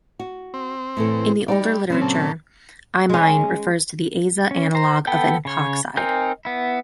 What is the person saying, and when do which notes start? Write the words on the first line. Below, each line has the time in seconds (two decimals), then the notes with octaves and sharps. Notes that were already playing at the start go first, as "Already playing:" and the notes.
In the older literature, imine refers to the aza analogue of an epoxide.
0.19 F#4
0.54 C4
0.97 A2 E3 A4
1.48 G3 D#4 D5
1.90 B2 F#3 C4 C#4
2.02 A#2 C#3 A4
3.10 G#3 C#4
4.51 C#4
4.75 C5 A#5
5.07 B3 A4 G5
5.45 C#3 C#5
5.97 C4 D#4 A#4 G#5 G6
6.45 B3 E4